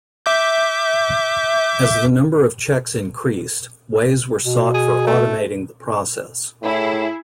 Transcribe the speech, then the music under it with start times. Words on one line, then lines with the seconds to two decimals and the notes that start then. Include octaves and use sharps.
As the number of cheques increased, ways were sought for automating the process.
0.26 E5 D6 G6
4.45 B2
4.74 G#4
5.07 A3
6.62 A2 E4 G#4